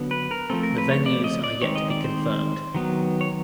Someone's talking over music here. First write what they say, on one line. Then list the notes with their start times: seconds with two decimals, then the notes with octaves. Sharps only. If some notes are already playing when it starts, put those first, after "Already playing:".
The venues are yet to be confirmed.
Already playing: D3 F#3 B3
0.11 B4
0.31 A#4
0.50 F3 A3 C4 A4
0.63 A#4
0.78 B4
0.91 C#5
1.06 D5
1.24 D#5
1.44 D5
1.61 D#3 G#3 C4 C#5
1.75 D#5
1.90 D5
2.04 C5
2.75 D#3 F#3 B3
3.21 C#5